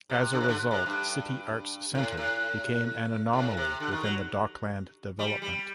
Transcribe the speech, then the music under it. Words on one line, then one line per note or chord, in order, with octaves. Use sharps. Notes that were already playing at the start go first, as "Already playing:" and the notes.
As a result, City Arts Centre became an anomaly within the dockland development.
C3
D3
C3
D3
C3
G2
A2
A2
A2
C3
D3
D#3
F#3
G3
G3